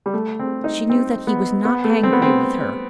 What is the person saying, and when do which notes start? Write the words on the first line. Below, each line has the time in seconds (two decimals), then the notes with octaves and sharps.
She knew that he was not angry with her.
0.06 G3
0.14 A3
0.40 C4
0.64 D#4
0.90 C4
1.27 B3
1.65 B3
1.84 A3
2.03 C4
2.13 B3
2.22 C4